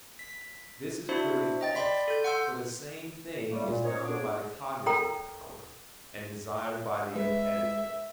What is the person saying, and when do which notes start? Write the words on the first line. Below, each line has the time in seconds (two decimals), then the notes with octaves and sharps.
This is clearly false; for the same thing is known by the cognitive power, and desired by the appetitive.
0.19 B6
1.09 D4 E4 F#4 C5 E5
1.61 D#5 G5 A6
1.75 D5 B5 C6 B6
2.08 A4 G6
2.24 F#5 C6 E6 G6
3.51 C#3 G3 A3 A#3
3.65 A#2
3.83 C#4 D#4 A#4 C5 C#5
4.05 F2 F#3 B3 D4 G#4 D6
4.86 A4 A#4 C#5 G5 A#5
7.15 G#3 B4 E5